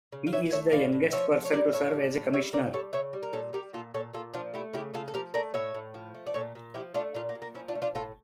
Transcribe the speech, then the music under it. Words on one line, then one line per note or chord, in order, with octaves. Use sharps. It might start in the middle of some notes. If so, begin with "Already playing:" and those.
He is the youngest person to serve as Commissioner.
C#3
F5
E3 C#5 E5
A3 C#5 E5
A2 D5 F5
A2
F3 C#5 E5
A3
C#5
G3 A#4 D5
A2 C#5 E5
G3
A2
G3 C#5 E5
C#3 A#4 D5
G3 A4 C#5
C#3 C#5 E5
G3
A#4
A#2 A4 C#5
G3 G4 A#4
A#2 F4 A4
A#2 A4 C#5
A#2 F4 A4
F3 D4 F4
A3 E4 G4
C#3 E4 G4
C#3 F4 A4
A4
F3 G4 A#4
A3 A#4 D5
A2 C#5 E5
A2
F3
A3
D5
A#2 A4 C#5
A#2
F3 E4 G4
A3 D4 F4
A#2 D4 F4
A#3
A#2
A#3
F3 C#4 E4
D4 F4
A3
D4 F4
A2 F4 A4